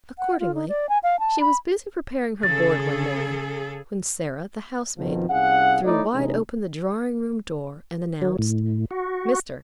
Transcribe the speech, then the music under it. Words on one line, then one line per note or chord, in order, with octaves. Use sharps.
Accordingly, she was busy preparing her board one morning, when Sarah, the housemaid, threw wide open the drawing-room door and announced, 'Mr.
F#5
F4
D#4
D5
G#5
F5
A5
B5
C#3 G#4 A4 A6
F2 B2 D#3 F3
C2 C#4 G#4 F5 F#5
A3 D#4 E4 A4 C#5 D5
C3 E3 G#3 D4 D#4
F#3
A2
F#4